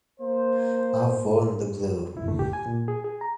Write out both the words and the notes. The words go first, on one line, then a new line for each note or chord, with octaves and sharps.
I’ve worn the blue.
A#3 C5
E4
A3
G4
G#5
A#2
G#4
G#4
A#5